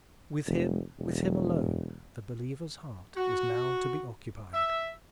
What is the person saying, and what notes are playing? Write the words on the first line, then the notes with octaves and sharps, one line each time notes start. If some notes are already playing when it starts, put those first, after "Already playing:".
With him, with him alone, the believer's heart is now to be occupied.
F1
E1
F#4
E5